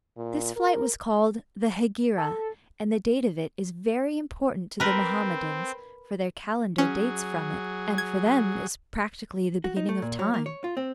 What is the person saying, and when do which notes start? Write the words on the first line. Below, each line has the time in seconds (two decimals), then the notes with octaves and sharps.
This flight was called the "Hegira," and the date of it is very important to the Mohammedans, for their calendar dates from it, and for them is practically the beginning of time.
0.17 A#2
0.56 A#4
2.18 A4
4.80 C4 A#4 B4
6.78 F#3 C#4 G#4
7.98 G#6
9.64 F#4
9.77 D#4
9.89 A3
10.02 A#2
10.19 F#3
10.34 A#3
10.46 C#5
10.64 F4
10.77 C4